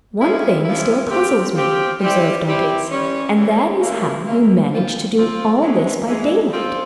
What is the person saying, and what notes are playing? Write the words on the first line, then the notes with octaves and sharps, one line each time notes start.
"One thing still puzzles me," observed Dantes, "and that is how you managed to do all this by daylight?"
C3 F3 G#3 C#4 E4
C3 F3 G#3 C#4 E4
F3 C4 G4
F3 C4 G4
G3 C4 E4 G4
G3 C4 E4 G4
E3 G3 C#4
E3 G3 C#4
C#3 E3 A#3
C#3 E3 A#3
F3 C4 F4
F3 C4 F4
C3 E3 G#3
C3 E3 G#3
F3 C4 F4